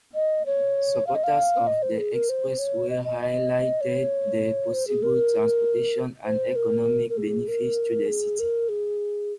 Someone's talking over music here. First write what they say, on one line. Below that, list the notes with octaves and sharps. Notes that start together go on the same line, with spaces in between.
Supporters of the expressway highlighted the possible transportation and economic benefits to the city.
D#5
C#5
F5
D#5
F5
D#5
C5
G#4
A#4
C5
C#5
D#5
D#5
D#5
C#5
C5
G#4
A#4
C5
A#4
A#4
G#4
A#4
G#4
A#4
G#4